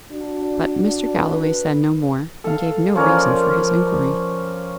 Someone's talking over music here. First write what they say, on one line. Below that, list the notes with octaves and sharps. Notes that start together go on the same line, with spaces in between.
But Mr. Galloway said no more, and gave no reason for his inquiry.
D4 F#4
B4
A4 F5
F3 C#4 A#4 D5